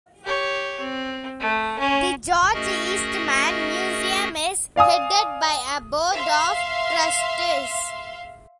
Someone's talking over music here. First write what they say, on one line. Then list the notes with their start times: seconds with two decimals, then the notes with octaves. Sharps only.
The George Eastman Museum is headed by a board of trustees.
0.24 G4 C#5
0.80 C4
1.40 A3
1.79 C#4 C#5
2.53 A3 C#4 F#4 G#4 A#4 D#5
4.76 D5 F5 G#5 D#6
6.14 E5 F5 C6